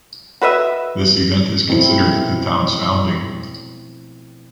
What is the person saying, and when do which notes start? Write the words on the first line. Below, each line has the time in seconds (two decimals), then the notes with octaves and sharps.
This event is considered the town’s founding.
0.42 F#4 B4 D#5 E5
1.69 B2 F3 A3 C4 D#4 E4